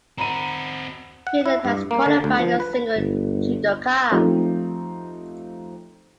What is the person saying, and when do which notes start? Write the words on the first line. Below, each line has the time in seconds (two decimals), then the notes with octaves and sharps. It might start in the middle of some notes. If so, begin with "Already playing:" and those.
Finland has qualified a single judoka.
0.18 C4 F#4 A#5 B5 D#7
1.27 F#5
1.46 E4
1.65 G2
1.91 A#3
2.06 D3
2.24 D2
2.39 F3
2.60 B4
2.96 G1
4.10 F3 A3 C4 D#4 F4 G4